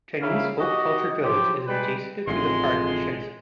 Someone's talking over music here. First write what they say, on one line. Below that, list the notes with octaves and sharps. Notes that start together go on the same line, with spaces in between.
Chinese Folk Culture Village is adjacent to the park in Shenzhen.
C#3 F3 A#3 E4 F5
F#4 G4 D#5
F3 F#3 G4
G3 G#3 B4
A1 F2 A2 G#3 C6